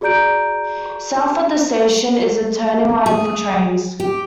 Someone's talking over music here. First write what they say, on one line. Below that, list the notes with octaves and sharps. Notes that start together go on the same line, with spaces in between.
South of the station is a turning line for trains.
F#4 G#4 D5 A#5 G6 D7
G#4
G4